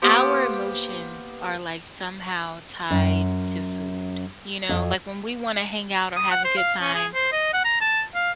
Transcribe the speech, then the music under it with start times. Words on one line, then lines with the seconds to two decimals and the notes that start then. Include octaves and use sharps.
our emotions are like, somehow tied to food, you know, like when we wanna hang out or have a good time
0.02 A#3 B3 G4 C5
2.91 F#2
4.69 F2
6.16 D#6
6.31 F#5
6.45 C5
6.57 F5
6.82 C#4
6.95 G#4
7.14 C5
7.32 D#5
7.54 F#5
7.65 A#5
7.81 A5
8.15 F5